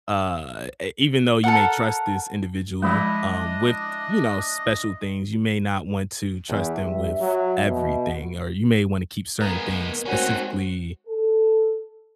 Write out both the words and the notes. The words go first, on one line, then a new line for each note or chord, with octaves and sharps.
uh, e even though you may trust this individual, um, with, you know, special things, you may not want to trust them with everything, or you may want to keep certain things specifically,
A4 A#4 F#5
F3 G#3 D4 E4 D#5
E2 E5
G2
F#3
B2
G#3 B3 A#4
G#3 C4 C#4 D#4 F#4
A4